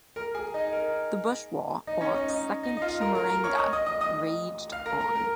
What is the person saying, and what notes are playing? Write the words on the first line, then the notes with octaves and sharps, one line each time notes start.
The Bush War or "Second Chimurenga" raged on.
A#4 A#5
G#4 G#5
D#4 D#5
A#4
D#4 D#5
C#4 C#5
D#4 D#5
D#4 D#5
D#4 D#5
D#5
F4 F5
A#4 A#5
A#4 A#5
A#4 A#5
C#5 C#6
D#5 D#6
D#5 D#6
D#5 D#6
D#5 D#6
F5 F6
A#4 A#5
A#4 A#5
A#4